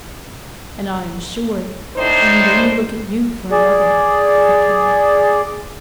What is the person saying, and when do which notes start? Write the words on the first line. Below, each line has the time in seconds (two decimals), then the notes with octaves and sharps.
"And I'm sure I need only look at you for another," said Caleb.
1.97 A2 D4 D#4 C5
3.51 G#4 D5